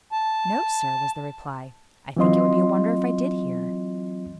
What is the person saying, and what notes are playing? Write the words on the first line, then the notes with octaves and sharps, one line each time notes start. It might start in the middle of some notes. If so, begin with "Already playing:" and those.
"No, sir," was the reply; "I think it would be a wonder if I did hear."
A5
E3 F#3 C4 F4 D#5 C6